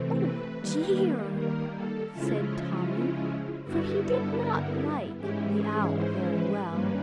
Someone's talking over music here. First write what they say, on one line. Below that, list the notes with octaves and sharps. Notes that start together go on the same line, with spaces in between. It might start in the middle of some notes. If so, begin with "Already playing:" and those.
"Oh, dear!" said Tommy, for he did not like the Owl very well.
Already playing: C3 E3 A3 C4
B4
D#3 G3 A#3
A#4
A4
C#3 F3 G#3 C#4 E4 F4
G2 D3 G3 B3 E4 F#4
A4
A#4
G#2 E3 G#3 C#4 E4 G4
G#4
C5
B4
G2 D#3 G3 A#3 C#4 B4